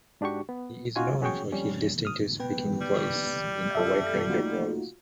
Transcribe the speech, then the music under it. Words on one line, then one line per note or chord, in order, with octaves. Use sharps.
He is known for his distinctive speaking voice in a wide range of roles.
G#2 D4 F#4 G4 C#6
B3
C#4 D#4 F4 F#4 C#5 G#5
C#4 F#4 G#4 C#5 G5 C#6
F2 G3 C#4
D#6 F6
B3 B4 G5
G3
F#2 F4 A4 E5
A3 A#3 D#4 F4 F#4